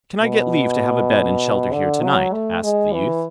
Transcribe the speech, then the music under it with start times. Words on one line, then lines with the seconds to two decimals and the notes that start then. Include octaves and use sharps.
'Can I get leave to have a bed and shelter here to-night?' asked the youth.
0.22 B2
1.73 D3
2.03 F#3
2.33 A3
2.63 G#3
2.93 E3